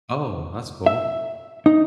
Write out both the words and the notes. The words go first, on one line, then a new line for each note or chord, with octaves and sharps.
Oh, that's cool.
E5
D#4